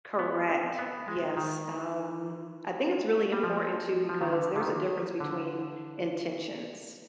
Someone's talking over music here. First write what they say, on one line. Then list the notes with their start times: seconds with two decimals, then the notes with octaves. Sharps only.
Correct. Yes. Um, I think it's really important, too, because there's a difference between intentions,
0.19 B3
0.50 C4
0.79 B3
1.08 G#3
1.37 D#3
3.33 G3
3.44 F3
4.09 F3
4.21 D#3
4.33 D3
4.56 D3
4.61 D#3
5.20 D3